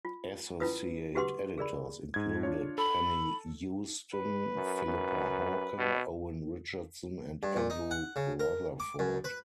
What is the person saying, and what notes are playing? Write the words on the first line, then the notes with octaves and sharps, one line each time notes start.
Associate Editors included Penny Hueston, Philippa Hawker, Owen Richardson and Andrew Rutherford.
F4
C#4 E4 F4 B4 D#6
F#4 G4 B4 F#5 C6 D6
G#4 A#4 D5 B5
G#2 G#6
D4 F4 C#5
A4 B5
B4
F#2
F#2
B2
G2
A#2
D#4
F#5
C#3
A#4
D6
F#2
B4